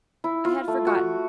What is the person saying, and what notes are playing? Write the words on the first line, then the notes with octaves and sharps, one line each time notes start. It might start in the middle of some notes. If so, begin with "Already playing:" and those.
I had forgotten!
E4
F4
A3
F#4